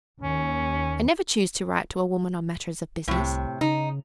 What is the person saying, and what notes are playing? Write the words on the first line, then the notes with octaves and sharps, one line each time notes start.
I never choose to write to a woman on matters of business.
D#2 C#4
C2 A2 C3
C#3 D#4